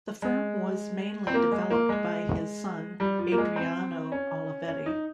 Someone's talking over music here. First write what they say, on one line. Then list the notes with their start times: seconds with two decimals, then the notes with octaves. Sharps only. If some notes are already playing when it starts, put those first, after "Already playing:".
The firm was mainly developed by his son Adriano Olivetti.
0.22 G#3
1.27 C4
1.34 A#3
1.52 G#3
1.70 A#3
1.89 G#3
3.00 G3
3.19 F3
3.32 A#3
3.38 G#3
3.56 C4
4.12 C#4
4.68 C#4
4.86 D#4